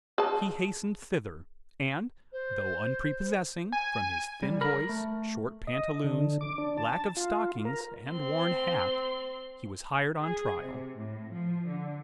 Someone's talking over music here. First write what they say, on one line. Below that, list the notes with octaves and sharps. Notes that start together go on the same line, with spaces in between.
He hastened thither, and, though unprepossessing, from his thin voice, short pantaloons, lack of stockings, and worn hat, he was hired on trial.
G#4 A5
C5
G#5
G3
A#4 B5
A3
D#5
D3
D6
D4
A5
F4
A#4
C4 C6
G#4
C3
A2
F3
D3